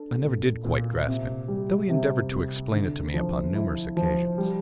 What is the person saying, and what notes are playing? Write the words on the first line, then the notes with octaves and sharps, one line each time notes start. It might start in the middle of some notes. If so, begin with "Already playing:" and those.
I never did quite grasp him, though he endeavored to explain it to me upon numerous occasions.
Already playing: D4 A4
A#2
A#2
C3
G3
C3
C3
D3
F3
E4
F3
G3